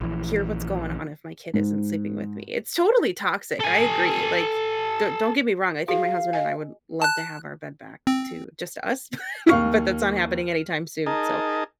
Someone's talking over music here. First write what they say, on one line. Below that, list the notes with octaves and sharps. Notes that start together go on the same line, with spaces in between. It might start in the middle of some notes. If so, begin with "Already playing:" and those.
hear what's going on if my kid isn't sleeping with me, it's totally toxic, I agree, like, don't don't get me wrong, I think my husband and I would love to have our bed back to just us, but but that's not happening anytime soon, so,
A#1 E3
G#2
A4 G#5
F#4 G#4 F5
D#5 G#5
A5 F#6
C4
D#2 F5 C#6 F6
D#4 G#4 A#4 D#5 A5